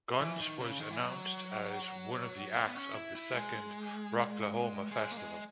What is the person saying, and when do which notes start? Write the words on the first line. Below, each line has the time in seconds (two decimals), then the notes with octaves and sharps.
Guns was announced as one of the acts of the second Rocklahoma festival.
0.20 E3
0.41 D#3
0.60 C#3
0.80 D#3
0.91 E3
1.00 F#3
2.56 A#3
2.67 B3
2.75 C#4
2.95 E4
3.15 E4
3.34 G#3
4.91 G#3
5.12 A#3
5.17 G#3